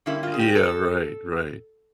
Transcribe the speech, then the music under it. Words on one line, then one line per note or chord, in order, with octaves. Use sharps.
Yeah, right, right.
D3 G3 A#3 C#4 E4
F4
G#4
G4
A4